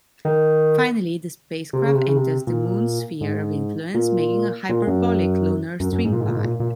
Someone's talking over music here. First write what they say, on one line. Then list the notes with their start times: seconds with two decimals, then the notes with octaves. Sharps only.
Finally, the spacecraft enters the Moon's sphere of influence, making a hyperbolic lunar swingby.
0.25 D#3
1.73 C3
1.84 C#3
1.95 C3
2.06 C#3
2.16 C3
2.47 A#2
3.21 G#2
3.94 A#2
4.69 A#2
4.87 F#2
5.80 F#2
5.93 F#2
6.05 G#2
6.13 A#2
6.21 G#2
6.28 A#2
6.36 G#2
6.44 A#2
6.60 A#2